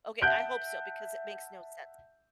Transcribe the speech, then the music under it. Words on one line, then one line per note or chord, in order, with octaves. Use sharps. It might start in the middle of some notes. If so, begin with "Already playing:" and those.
Okay. I hope so because it makes no sense.
E5 F#5 A5 F#6 G6 D7